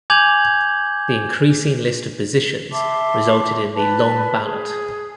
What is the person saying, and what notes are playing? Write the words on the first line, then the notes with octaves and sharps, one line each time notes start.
The increasing list of positions resulted in the "long ballot".
G#5 D6 G6 G#6 F7 F#7
E5 A5 C6 D6
B4 A5 B5
G#4